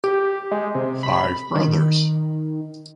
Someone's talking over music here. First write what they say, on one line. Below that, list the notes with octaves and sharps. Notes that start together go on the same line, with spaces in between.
Five brothers.
G4
G#3
C3
B5
D#3